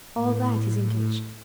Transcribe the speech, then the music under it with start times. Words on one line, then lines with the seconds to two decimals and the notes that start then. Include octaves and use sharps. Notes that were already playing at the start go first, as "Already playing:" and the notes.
"All that is engaged."
0.15 A2